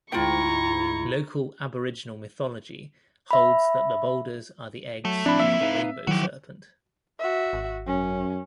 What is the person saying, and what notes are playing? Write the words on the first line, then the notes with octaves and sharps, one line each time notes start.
Local Aboriginal mythology holds that the boulders are the eggs of the Rainbow Serpent.
D2 G#2 E4 F4 G5 A#5 C#6
E5 B5
F#3 A3
C#2 A2 F3 C4 D4 E4 B5
F3 A#3 E5
D#4 B4 F5
D#3 F3 F#3 E4 F#4 G4
F#4 E5
G#1
F#2 C#4